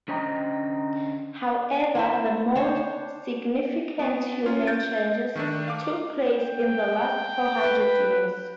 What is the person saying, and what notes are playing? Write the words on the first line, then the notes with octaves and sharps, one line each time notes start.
However, the most significant human changes took place in the last four hundred years.
D3 C#4 C5 D#5 G5 A#5
C4 E4 E5
D4 C5 C#5
B3
C#4 F4
G6 A6 D7
D#3 A3 D4
F5 D6
G5
B4